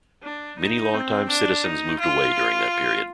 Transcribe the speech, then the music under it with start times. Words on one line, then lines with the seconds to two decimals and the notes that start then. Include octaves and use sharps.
Many long-time citizens moved away during that period.
0.23 D4
0.59 D#4
0.94 C4
1.29 D4
1.64 D#4
2.00 F4